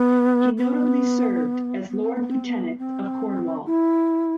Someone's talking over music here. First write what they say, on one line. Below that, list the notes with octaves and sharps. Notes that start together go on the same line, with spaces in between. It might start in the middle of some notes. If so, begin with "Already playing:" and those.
He notably served as Lord-Lieutenant of Cornwall.
Already playing: B3
B3
B3
C4
B3
C4
B3
C4
E4